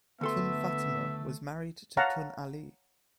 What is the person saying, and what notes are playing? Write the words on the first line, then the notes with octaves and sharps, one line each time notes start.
Tun Fatimah was married to Tun Ali.
D2 A3 B3 A4 E5 C6
C#5 F5 F#5 A5 A#5